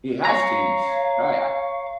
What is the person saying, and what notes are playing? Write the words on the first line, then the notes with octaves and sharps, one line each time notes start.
He has changed. Right I
C#5 F5 A#5